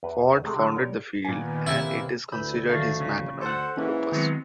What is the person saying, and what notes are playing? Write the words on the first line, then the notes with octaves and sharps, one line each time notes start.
Ford founded the field and it is considered his "magnum opus".
E2 B4
C3 G#3 A3 G#4
D3 F#3 G#3 F#4
G3 A#4 C#5 D5
A#2 D#3 B3 G#5
C3 A#3 E4
D2 E3 B5 E6 G6
D#3 A3 D4 F5 C#6
C#3
D2 A4 C5 F#5
G#2 E3 A#3 C#4
D#3 F#3 G#3 B3 C4